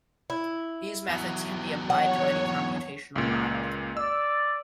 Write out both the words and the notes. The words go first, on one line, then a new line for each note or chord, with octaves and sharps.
These methods can be applied to any computational model.
E4
E2 F#3
C#5 F#5
C#2 A#2
D5 E6